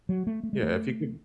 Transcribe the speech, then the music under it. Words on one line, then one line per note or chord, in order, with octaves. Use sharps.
Yeah, if you could
F#3
A3
A3
G#3
A3